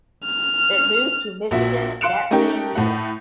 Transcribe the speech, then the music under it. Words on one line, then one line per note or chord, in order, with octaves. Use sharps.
It moved to Michigan that same year.
F6
A#1 A#2 F#4 E5
F5 C6 F#6 C#7 D7 E7
A3 C#4 D#4 G4 A#4 G5
A2 A3 F#5